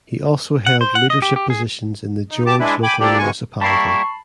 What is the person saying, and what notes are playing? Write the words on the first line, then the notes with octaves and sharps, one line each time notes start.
He also held leadership positions in the George Local Municipality.
F#5
C5
F#5
D#5
G4
G4
G#4
D#4
G4 A5 D6
G#3 D4 E4 B4
G5 G#5 B5 D6
F3 A#3 D4 G4 A4 D5
D2 G#2 B2 G#3 G#5 C#6
G3 A#3 E4 A5 B5 C#6 C7